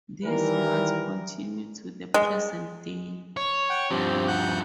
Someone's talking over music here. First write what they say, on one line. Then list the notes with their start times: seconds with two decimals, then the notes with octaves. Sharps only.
These wards continue to the present day.
0.25 D#3 E3 G3 A#4
2.14 G#3
3.37 C#5
3.69 F#5 G5
3.91 G2 F3 C4 G4
4.28 F#5 F#6 G6